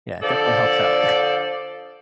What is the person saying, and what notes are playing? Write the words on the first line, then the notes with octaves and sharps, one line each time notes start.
Yeah, it definitely helps out.
D3 F3 A4 D5